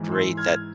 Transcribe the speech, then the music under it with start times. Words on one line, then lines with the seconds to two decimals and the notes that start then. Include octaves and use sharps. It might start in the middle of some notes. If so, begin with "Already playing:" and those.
great that,
Already playing: G#2 E3
0.12 C6 E6
0.37 F6 G#6